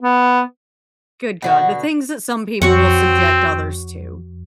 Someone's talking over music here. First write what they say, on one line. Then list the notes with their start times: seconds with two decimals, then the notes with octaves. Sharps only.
good god, the things that some people will subject others to.
0.03 B3
1.42 B2 D3 F#4
2.62 F2 C4 F#4 C#5 F#5